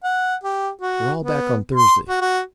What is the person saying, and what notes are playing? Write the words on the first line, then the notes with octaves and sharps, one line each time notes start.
We're all back on Thursday.
F#5
G4
F#4
B3
C6
F#4
F#4